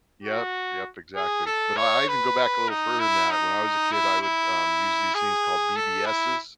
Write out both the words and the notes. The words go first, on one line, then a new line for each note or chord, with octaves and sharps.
Yep, yep, exactly, but I I even go back a little further than that, when I was a kid, I would, um, use these things called BBSs.
F#4
G#4
A4
C#5
B4
D#4
E4
D#4
E4
E4
G#4
A4
E4